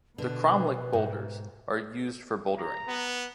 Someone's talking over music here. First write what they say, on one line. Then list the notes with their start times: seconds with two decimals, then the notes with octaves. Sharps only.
The Cromlech Boulders are used for bouldering.
0.18 B2 D3 B4
0.93 G#2
2.58 A#5
2.88 B3